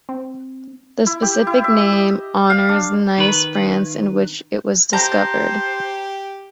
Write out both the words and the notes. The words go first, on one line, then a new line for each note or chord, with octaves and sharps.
The specific name honors Nice, France, in which it was discovered.
C4
E4
G4
E4
E5
D#5
F5
D4
D#3 B4
G4 C5 A5 A#5 G6